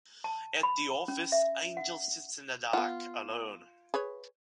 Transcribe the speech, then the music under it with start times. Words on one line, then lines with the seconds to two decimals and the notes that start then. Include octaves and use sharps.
At the office, Angel sits in the dark, alone.
0.24 A5
0.63 B5
1.08 C#4
1.32 E5
1.77 F#5
2.73 B3 F4 F#5
3.94 G#4 B4 C#5